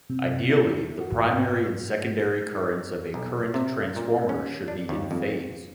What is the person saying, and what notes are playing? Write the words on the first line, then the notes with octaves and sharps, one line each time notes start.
Ideally, the primary and secondary currents of a current transformer should be in phase.
C3
E4
F#4
G#2
B1
C3
A#2
C#4
D4
D#2
F2